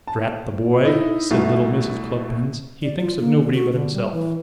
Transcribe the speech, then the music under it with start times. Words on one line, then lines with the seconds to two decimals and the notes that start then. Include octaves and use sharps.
'Drat the boy,' said little Mrs. Cluppins. 'He thinks of nobody but himself.
0.07 A5
0.85 D#4 E4 D#5
1.31 C2 B2 A3
2.83 D5
3.00 F4
3.19 A#3
3.41 D3
3.54 F#4
3.72 D3
3.94 G3
4.13 E3